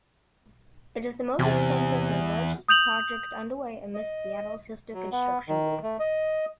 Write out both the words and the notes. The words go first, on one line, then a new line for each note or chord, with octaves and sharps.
It is the most expensive and largest project underway amidst Seattle's historic construction boom.
E2 C3
D#6 G6 F7 F#7
D#5
F#3
B3
D#3
A3
D#5